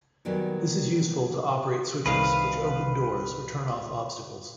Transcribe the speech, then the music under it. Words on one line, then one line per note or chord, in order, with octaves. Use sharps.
This is useful to operate switches which open doors or turn off obstacles.
A#2 D#3 F#3 G3 B3
C2 D#3 G#4 B4 F5